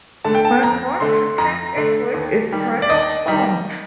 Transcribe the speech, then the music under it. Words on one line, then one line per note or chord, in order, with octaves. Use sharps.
You might want to take it with a grain of salt.
D3 A3 A5
G5
A5
F2 A#5
D3 A3 C6
F2 A#5
D3 A3
D#2
D#3 G3
D5
D#2 D#5
D#3 G3